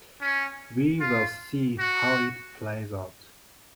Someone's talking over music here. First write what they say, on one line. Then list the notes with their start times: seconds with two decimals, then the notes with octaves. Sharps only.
We will see how it plays out.
0.21 C#4
1.00 F4
1.79 F#4